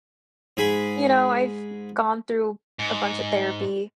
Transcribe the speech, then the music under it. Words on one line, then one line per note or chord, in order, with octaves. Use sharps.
you know, I've gone through a bunch of therapy,
G#2 G#4 G#5 B5
G#2